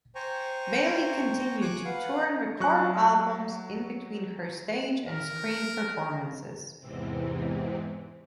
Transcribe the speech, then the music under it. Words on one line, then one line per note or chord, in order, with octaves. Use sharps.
Bailey continued to tour and record albums in between her stage and screen performances.
C5 G5 G#5 A#5 C#6
G#5 C#6 D6 F#6
B4 F5 F#5
F#3 C#6 F#6
A#4
E2 G#2 C3 E3 C4